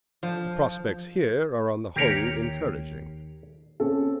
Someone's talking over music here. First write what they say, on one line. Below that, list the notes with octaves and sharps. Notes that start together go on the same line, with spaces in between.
The prospects here are on the whole encouraging.
F3
D#2 G4 A#4 C#5 B6 C7
C4 C#4 A4